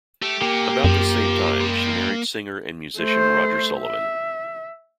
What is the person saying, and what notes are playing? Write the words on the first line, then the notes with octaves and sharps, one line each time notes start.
About this same time, she married singer and musician Roger Sullivan.
A3 G4
A#2 A#3 G4
F#2 F3
G3 G#3
A3 C5
E5